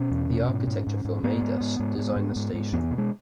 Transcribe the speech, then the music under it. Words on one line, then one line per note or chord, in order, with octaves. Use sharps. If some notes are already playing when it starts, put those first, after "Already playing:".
The architecture firm Aedas designed the station.
Already playing: B2 C#4
E2
B2
G#2
G#2
G#2
G#2
G#2 B3
G#2
G#2
G#2
G#2
G#2
G#2
G#2
E2 B3
B2
G#3